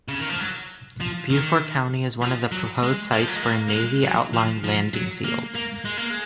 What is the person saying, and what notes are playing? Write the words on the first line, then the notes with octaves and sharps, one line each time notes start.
Beaufort County is one of the proposed sites for a Navy outlying landing field.
C#3
D#3
F3
F#3
F3
D#3
F3
F#3
G#3
A#3
F3
F#3
G#3
A#3
A#3
G#3
F#3
F3
F3
F#3
A#3
A#3
G#3
A#3
G#3